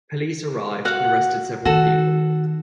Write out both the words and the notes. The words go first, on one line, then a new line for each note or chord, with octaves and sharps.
Police arrived and arrested several people.
F#4 F5 F#5
D#3 F#4 A4